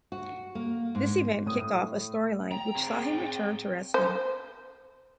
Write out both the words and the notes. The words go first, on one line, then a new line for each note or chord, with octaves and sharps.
This event kicked off a storyline which saw him return to wrestling.
F#4
A#3
G#2
A2 D#6
G5 A#5
C4 G#4
C5